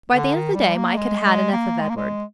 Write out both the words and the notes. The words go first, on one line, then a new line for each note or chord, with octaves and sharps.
By the end of the day Mike had had enough of Edward.
D3
D#3
G3
A#3
G#3
G#3
A#3
G#3
A#3
G#3